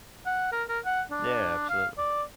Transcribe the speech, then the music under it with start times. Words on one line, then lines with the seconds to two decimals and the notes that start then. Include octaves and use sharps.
Yeah, absolutely.
0.26 F#5
0.52 A#4
0.69 A#4
0.85 F#5
1.11 D4
1.69 F5
1.98 D5